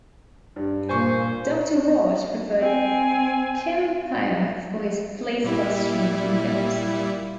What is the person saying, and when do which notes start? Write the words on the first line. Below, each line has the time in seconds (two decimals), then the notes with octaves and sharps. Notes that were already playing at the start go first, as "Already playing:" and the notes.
Doctor Raj preferred Kempaiah for his police costumes in films.
0.56 G2
0.89 A#2 C5 G#5 C#6
2.60 C4 G#5
5.44 A#2 G3 E4